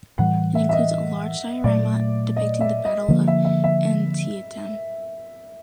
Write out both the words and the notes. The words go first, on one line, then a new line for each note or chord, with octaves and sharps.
It includes a large diorama depicting the Battle of Antietam.
A2 E3 G3 F#5
E5
E5
D#5
A#2 F#3 A3 D5
D#5
E5
D#5
D3 F3 A#3
E5
E5
E5